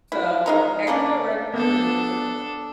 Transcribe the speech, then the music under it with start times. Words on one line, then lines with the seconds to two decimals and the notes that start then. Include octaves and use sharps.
So, extra work for me,
0.12 E4
0.46 G#3 D#4 A#4
0.87 C#3 A#3 C#4 D4
1.54 B3 D4 A4